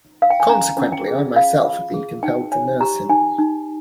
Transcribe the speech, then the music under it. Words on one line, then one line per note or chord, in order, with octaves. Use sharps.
Consequently I myself have been compelled to nurse him.
F5
G5
G#5
C#4 A#5
C#4
G5
G#4
F4 F5
F4
G#4
D#4 G5
C#5 G#5
G4 A#5
D#4 G#5
D#4